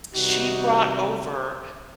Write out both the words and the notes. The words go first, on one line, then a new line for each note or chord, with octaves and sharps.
she brought over
C3 D#3 G3 B3 D#4 F#4